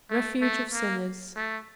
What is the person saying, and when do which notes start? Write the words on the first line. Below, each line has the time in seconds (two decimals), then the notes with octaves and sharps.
Refuge of sinners.
0.10 A3
0.41 A3
0.73 A#3
1.36 A3